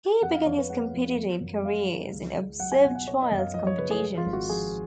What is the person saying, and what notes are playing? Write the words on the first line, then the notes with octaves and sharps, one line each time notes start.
He began his competitive careers in observed trials competitions.
F2 F#5
F5
F2 C#5
B4
G#3 F#5
F3
B3
F#2
G#3 F5
D#3
C#2
C#2
F#3 F#5
G#5
B2 F#5
F#5
B3 C#5
D#5
F#2
F5
F3 D#5
C#5
C#3 B4
G#4
G#3
F4
G#1
F#4
F3 G#4